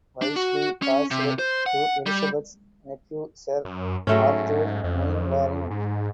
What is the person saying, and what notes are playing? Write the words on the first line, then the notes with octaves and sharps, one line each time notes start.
Wisley passed to Elizabeth's nephew Sir Arthur Mainwaring.
D4
F#4
C#4
C3
C5
F#5
G3
F#2
G#2 F#3 A3 C#4
F2
G#2